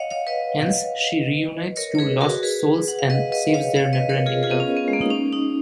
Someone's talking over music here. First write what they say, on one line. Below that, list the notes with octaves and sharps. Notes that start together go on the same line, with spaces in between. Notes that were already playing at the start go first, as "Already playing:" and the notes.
Hence, she re-unites two lost souls and saves their never ending love.
Already playing: C#5 D#5 F5 F#5
C#5 F5
B4 D#5
A#4 C#5
C#5
G#4 B4
F#4 A#4
G#4 B4
F#5
F5
B4 D#5
B4 D#5
C#5 F5
C#5 F5
B4 D#5
A#4 C#5
F4 G#4
F4 G#4
B3
C#4
B3
G#3
A#3
D#4
C#4
D#4